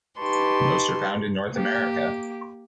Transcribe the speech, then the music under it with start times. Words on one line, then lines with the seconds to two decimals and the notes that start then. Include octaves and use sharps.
Most are found in North America.
0.19 D#4 G4 B4 A5 C6 C#6
1.52 A#3 G4